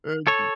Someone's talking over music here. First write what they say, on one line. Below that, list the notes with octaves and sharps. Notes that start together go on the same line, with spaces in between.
And, m
A4 C#5